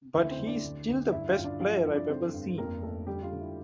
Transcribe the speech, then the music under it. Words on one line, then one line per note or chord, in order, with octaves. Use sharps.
But he is still the best player I've ever seen.
D2 E4 E5
C4 C5
D2
D4 D5
D2
D2
G2 E4 E5
F4 F5
G2
D4 D5
F3 F4 F5
E4 E5
G2
D4 D5
D3 C4 C5
G2
F2 A#3 A#4
F2 A3 A4
D3 G3 G4
F4
D3
E4